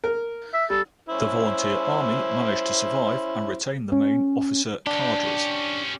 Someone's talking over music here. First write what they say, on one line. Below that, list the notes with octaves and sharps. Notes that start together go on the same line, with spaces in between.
The Volunteer Army managed to survive and retain the main officer cadres.
A#4
E5
G3 A4
C#4 E4 C5
C#4
C#4 D4 G4